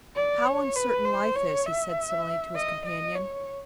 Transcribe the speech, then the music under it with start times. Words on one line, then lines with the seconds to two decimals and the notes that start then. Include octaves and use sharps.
"How uncertain life is!" he said suddenly to his companion.
0.16 D5
0.46 C#5
0.76 B4
1.06 C5
1.36 C#5
1.66 E5
2.55 D#5
2.86 D#5
3.15 C#5